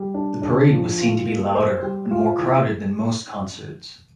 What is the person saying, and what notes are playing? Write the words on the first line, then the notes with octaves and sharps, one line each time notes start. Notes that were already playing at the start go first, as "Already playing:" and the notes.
The parade was seen to be louder and more crowded than most concerts.
Already playing: G3
D4
D4
F3
F4
A#3
C5
G3
F4
E3